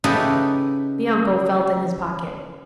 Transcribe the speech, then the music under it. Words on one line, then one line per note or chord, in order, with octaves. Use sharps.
The uncle felt in his pocket.
C#3 D#4 E4 G4 A4 B4